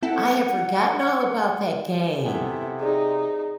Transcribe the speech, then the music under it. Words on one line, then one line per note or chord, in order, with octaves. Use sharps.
I have forgotten all about that game.
C4 E4 A4 F#5
C3 B3 E4 A4 G#5
D#4 G#4 D5